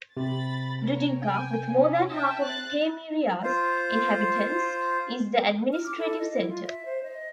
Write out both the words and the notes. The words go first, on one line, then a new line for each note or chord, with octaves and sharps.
Dudinka, with more than half of Taymyria's inhabitants, is the administrative center.
C3 B5 A6
A#4 C#5
G5 G#5
C#4
E5 G5 A5
C4 F#6 A6
F4 C5
F6
D6
A4
D#5
E4
F4
E5
C5
D#5